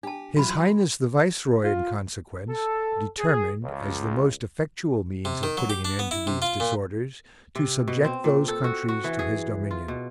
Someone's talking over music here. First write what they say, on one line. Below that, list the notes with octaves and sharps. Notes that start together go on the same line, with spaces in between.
His Highness the Viceroy, in consequence, determined, as the most effectual means of putting an end to these disorders, to subject those countries to his dominion.
D4 G4 A5
E3 F#3 F4 F#4 B5
C6
F4
A4
G#4
C#2
C3
D#3
F#3
G4
D4
B3
E4
C3
F4
A#2
C3
B2
C4
A#2
A4
F#4
F#4
E3
G#4
F4
B2